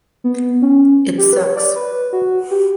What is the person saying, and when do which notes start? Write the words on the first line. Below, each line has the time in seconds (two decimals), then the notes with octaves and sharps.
It sucks.
0.24 B3
0.62 C#4
1.18 G4
1.33 B4
1.37 C#5
1.57 D5
1.76 B4
2.13 F#4
2.51 G4